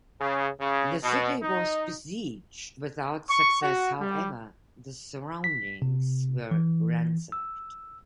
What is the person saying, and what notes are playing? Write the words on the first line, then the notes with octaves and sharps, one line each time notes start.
The City was besieged without success; however, the surroundings were ransacked.
C#3
C#3
B2
D#4
C#6
F#4
G3
B6
C3
E3
E6